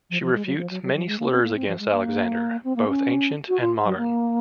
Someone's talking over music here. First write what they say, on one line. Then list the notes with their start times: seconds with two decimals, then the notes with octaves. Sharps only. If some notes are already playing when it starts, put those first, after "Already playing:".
She refutes many slurs against Alexander, both ancient and modern.
0.10 F3
0.22 F3
0.34 G#3
0.46 F#3
0.58 F3
0.70 F#3
0.83 F#3
0.94 F#3
1.07 G#3
1.19 A#3
1.31 C4
1.43 A#3
1.55 C4
1.67 F3
1.80 G#3
1.91 A#3
2.64 C4
2.76 A#3
2.88 C#4
3.49 F#4
3.61 F4
3.85 F#3
3.98 A#3